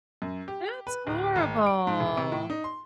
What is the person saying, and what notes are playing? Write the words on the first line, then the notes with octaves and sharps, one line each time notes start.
That's horrible.
F#2
G4
B4
D1
G#1
D7
G#2
E1
C3
A2
D#4
C6